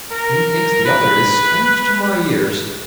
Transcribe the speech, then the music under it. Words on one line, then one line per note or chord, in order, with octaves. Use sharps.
Methinks the other is strange to my ears.
A#4
B4